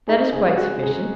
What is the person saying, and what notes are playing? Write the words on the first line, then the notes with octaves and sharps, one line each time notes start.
'That is quite sufficient.
D#4 G#4
C#3 G#4
G#3 F#4
C#3 G#4